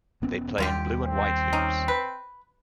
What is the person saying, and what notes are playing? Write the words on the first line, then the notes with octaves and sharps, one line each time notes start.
They play in blue and white hoops.
E1 B3 C#4
D#2 D3 G3 F4 G4
C4
C#4 D#4
B4